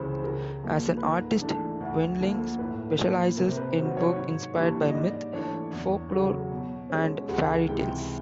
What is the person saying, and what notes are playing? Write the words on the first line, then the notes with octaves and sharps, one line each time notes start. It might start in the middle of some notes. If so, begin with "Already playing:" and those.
As an artist, Windling specializes in work inspired by myth, folklore, and fairy tales.
Already playing: C#2 C#3 E3 C5
C#3 A#4
F3 A#3
B4
G#2 A#4
E3 A3 D4
D2
D3 F3 A#3
A2 B4
F3 A#3
C3 A#4
C5
B4
D#3 F#3 C5
C#5
G#2
E3 G3 A#3 D4
D#5
G#2 D5
E3 A3 D4 C#5
E2
C#3 F#3
B2
G#3 C#4
C#2 F#5
C3 E3 G#3 G5